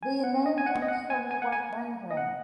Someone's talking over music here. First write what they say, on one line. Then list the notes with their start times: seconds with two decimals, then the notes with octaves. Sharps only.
Their name comes from the white wine brand.
0.03 G#5
0.24 F#5
0.46 D#5
0.58 G#5
0.66 F#5
0.82 D#5
0.88 F#5
1.10 G#5
1.31 G#5
1.42 F#5
1.52 G#5
2.11 D#5
2.17 F#5